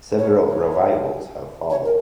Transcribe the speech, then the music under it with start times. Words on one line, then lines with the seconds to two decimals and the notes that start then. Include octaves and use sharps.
Several revivals have followed.
0.18 C#5
0.49 C#5
1.70 C#5
1.85 A#4